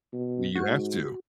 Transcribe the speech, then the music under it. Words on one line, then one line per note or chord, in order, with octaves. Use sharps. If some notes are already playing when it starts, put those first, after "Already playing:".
Well, you have to.
B2
G#2 F#4